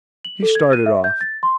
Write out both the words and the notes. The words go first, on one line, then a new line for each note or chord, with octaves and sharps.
He started off.
F#7
A4
G#6
D#7
E5
G6
A6
C6